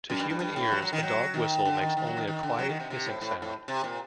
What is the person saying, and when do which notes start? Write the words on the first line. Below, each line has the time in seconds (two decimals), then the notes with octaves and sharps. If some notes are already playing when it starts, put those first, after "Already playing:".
To human ears, a dog whistle makes only a quiet hissing sound.
0.10 F#2
0.20 G2
0.30 G2
0.40 G2
0.56 A2
0.72 F#3
0.82 F#3
0.93 D#3
1.03 F#3
1.34 D#3
1.65 D3
1.81 D#3
1.97 D#3
2.07 F#3
2.17 D#3
2.27 D#3
2.43 D3
2.59 F#3
2.69 D#3
2.80 C3
2.90 C3
3.06 A2
3.21 A2
3.42 A2
3.68 C3
3.84 A#2